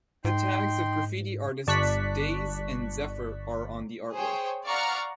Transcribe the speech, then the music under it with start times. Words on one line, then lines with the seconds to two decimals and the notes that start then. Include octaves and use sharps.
The tags of graffiti artists Daze and Zephyr are on the artwork.
0.25 G#2 D#4 G5 C6
1.67 G1 D5 A5 C#6 F#6 B6
4.14 G#4 C5 C#5 G5
4.66 D5 F5 F#5 A#5 C#6 F6